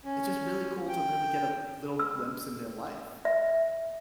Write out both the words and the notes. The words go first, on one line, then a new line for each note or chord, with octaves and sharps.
it's, just, really cool to really get a little glimpse in their life.
C#4
G5
E6
E5